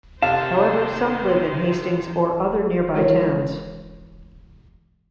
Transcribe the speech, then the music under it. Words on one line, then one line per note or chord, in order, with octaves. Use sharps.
However some live in Hastings or other nearby towns.
C3 D#3 C5 F5 A5
E3 G#3 E4 F#4 A#4 C#5